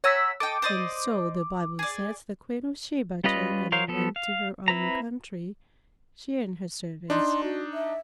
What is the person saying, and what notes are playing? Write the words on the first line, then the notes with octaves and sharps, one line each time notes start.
And so, the Bible says, the Queen of Sheba turned and went to her own country, she and her servants.
C#5 F#5 G#5 A#5 E6 B6
A4 D#5 G5 D6
C5 D5 D#5
G#4 D5
G3 C#4 F4 B4 D#5
F#3 A#4 C5 C#5 F5
F3 B3 A4
F5
C4 E4 B4 A#5
D4 D#4 C6
F#4
E5